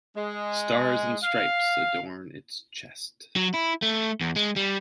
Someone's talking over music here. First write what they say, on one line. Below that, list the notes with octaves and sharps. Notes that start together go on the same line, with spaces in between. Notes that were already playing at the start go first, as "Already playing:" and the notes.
Stars and stripes adorn its chest.
G#3
F5
F#3
E4
A3
E2
G#3
G3